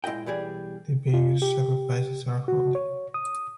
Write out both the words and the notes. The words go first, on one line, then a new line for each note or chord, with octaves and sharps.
The various sacrifices are holy.
A#2 G#3 E4 D#5 G5
B1 E3 G3 G#4
F4
G4
F#4
C#5
D#6